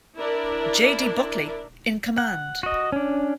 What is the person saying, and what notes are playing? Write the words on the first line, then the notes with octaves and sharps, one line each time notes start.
J. D. Buckeley in command.
D4 E4 A#4 D5
F#5
F#4 D#5
C#4 D4